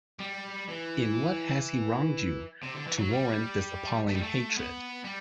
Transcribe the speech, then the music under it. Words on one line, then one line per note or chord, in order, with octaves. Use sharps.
In what has he wronged you, to warrant this appalling hatred?
G3
E3
C3
D3
E3
F#3
G3
A3
G3
A3
B3
G3